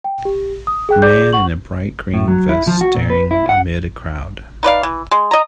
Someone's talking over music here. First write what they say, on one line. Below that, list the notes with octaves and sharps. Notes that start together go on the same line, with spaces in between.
Man in a bright green vest staring amid a crowd.
G5
G4
D#6
G#4 G5 F#6
G#4 D5 D6 G6
F#5 C#6 F#7
A2
F#3
E4
F3
F#4
A#2
B4
E4
F#5
D#4 B4 D5 F5
E3
G#3
D#5 A#5